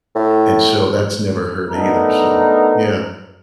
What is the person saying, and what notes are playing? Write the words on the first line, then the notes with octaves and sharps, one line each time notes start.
and so that's never hurt either, so yeah.
A2
A3 B3 D4 D#4 A4 A#4